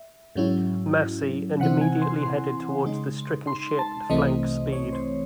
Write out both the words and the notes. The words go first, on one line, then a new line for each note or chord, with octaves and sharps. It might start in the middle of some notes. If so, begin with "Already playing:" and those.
"Massey" and immediately headed toward the stricken ship at flank speed.
Already playing: E5
G#2 F#3 C#4 E4
C3 E3 C4 E4 F#5
G#5
C6
C6
C#3 G#3 D#4
C6
A5
C2 C3 E3 A3 C4 D#5
C#5
C5